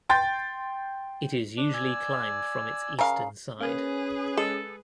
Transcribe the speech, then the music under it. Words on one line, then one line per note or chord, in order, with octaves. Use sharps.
It is usually climbed from its eastern side.
G5 C6 G6 A6
D4
D5 G#5 E6
C#3 A#4 F5
A#3 C#4 G#4 B4 G#5
G#3 A4